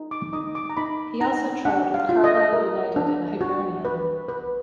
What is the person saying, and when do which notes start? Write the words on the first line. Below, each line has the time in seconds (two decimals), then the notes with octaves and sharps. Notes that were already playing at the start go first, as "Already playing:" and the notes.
He also trialled with Carlisle United and Hibernian.
Already playing: D#4
0.11 D6
0.33 D#4 D#6
0.55 D6
0.70 A#5
0.77 D#4 B5
1.21 D#4 A#5
1.65 D4 F#5
1.94 F5
2.09 F4
2.24 D#5
2.53 A#4
2.96 D4
3.41 F#4
3.85 B4
4.29 B4